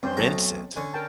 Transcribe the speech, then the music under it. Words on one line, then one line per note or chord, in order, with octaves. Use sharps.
Rinse it?
G2 C4 C#4 C5
B1 A3 C#5 A5 A#5
D3 C#4
A#4 G5 A5